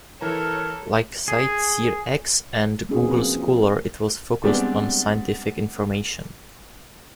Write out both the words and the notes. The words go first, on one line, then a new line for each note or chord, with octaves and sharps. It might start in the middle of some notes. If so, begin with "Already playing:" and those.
Like CiteSeerX and Google Scholar, it was focused on scientific information.
E3 A4 A#4 C#5 A#5
G#4
A#3 B3 C#4 D#4 F#4 G#4
F3 B3 C4 F4 B4
C4
F4
G3 G#3 B3 C4 D4